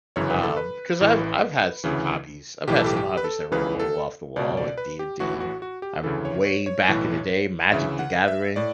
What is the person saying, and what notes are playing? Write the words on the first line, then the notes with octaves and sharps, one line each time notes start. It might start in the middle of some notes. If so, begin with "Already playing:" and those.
Um, cause I've I've had some hobbies, I've had some hobbies that were a little off the wall, like D&D, I'm way back in the day; Magic The Gathering,
G1 F#2 C#3 E3 C#5
B4
A4
B4
A1 A2 E3
D2 C#3 E3
B1 A2 E3 G4
A4
G4
G4
B4
A4
C#2 C#3 E3 B4
A4
C#2 B2 D5
D5
B4
G4
A1 A2 E3 F#4
F#4
F#4
G4
D2 C#3 E3 A4
C#5
C#5
C#5
B1 A2 E3
D2 C#3 E3 E5
F#5
E5
A2 D5